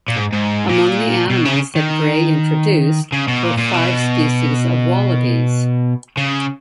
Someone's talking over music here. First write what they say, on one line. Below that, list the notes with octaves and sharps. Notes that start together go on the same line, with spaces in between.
Among the animals that Grey introduced were five species of wallabies.
A#2
G#2
G#2
A#2
B2
C#3
D#3
C#3
B2
A#2
A#2
B2
C#3